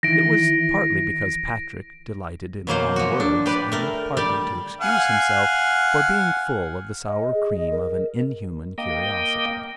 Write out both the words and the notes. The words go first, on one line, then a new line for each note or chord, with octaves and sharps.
It was partly because Patrick delighted in long words, and partly to excuse himself for being full of the sour cream of an inhuman curiosity.
D#3 E3 E4 A#6 D7
B2 F#3 A#3 C5
F3 F#4
D4
G4 B4 D5
A3 A#4
G3 G4 D5
F5 F#5 G#5
D#5
G#4
D#5
A#4
A#3 D#5 G5